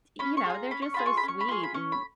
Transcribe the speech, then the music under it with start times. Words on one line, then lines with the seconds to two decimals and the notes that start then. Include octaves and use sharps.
t you know, they're just so sweet, and,
0.19 C#4 B5
0.37 C#6
0.46 F4 G#4 G#5
0.54 A#5
0.71 C#4 B5
0.82 C#6
0.94 F4 G#4 B5
1.06 C#6
1.17 B5
1.23 C#4
1.28 C#6
1.41 B5
1.48 F4 G#4 C#6
1.63 B5
1.74 C#4 C#6
1.92 B5